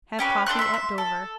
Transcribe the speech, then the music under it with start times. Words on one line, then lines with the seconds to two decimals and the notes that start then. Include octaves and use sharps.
Have coffee at Dover.
0.19 C#4 G4 B4
0.46 D4 A4 C6 F#6
0.59 E5 C6
0.74 E5
0.98 A4